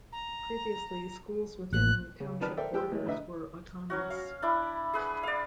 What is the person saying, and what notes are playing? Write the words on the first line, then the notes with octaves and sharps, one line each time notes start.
Previously, schools within township borders were autonomous.
A#5
A1 A#3 F#6
C#3
D#3 F3 B4 D5 A5 F6
A4 A#4 C5 D5 E5 G5
F3 G#3 G4 B4 G5 E6
F#3 G#3 A3
A1 A2 D3 B4 D#5 E5
F#3 C#4 F#4
F5
D4 E4 B5
G#4 B4 F#5
D5 F5